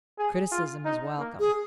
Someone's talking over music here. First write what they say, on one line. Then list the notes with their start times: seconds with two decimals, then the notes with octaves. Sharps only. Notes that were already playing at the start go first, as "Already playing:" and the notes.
Criticism is welcome.
0.18 G#4
0.52 F4
0.85 D#4
1.19 A#3
1.40 G#4